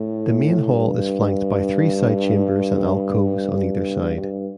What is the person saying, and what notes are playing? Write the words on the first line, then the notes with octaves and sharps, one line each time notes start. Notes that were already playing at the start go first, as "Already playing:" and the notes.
The main hall is flanked by three side chambers and alcoves on either side.
Already playing: A2
G2
G2